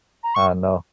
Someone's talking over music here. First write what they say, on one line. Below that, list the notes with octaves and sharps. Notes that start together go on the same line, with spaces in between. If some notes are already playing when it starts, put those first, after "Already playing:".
I know.
A#5
C#6